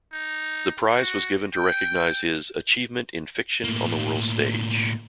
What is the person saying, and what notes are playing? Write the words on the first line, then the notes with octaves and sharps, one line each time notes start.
The prize was given to recognise his "achievement in fiction on the world stage".
D#4
F#4
G5
A2 A#3